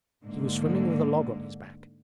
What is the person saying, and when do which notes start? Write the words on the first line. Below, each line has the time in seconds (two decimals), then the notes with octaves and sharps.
'He was swimming with a log on his back.
0.24 G#2 D3 A#3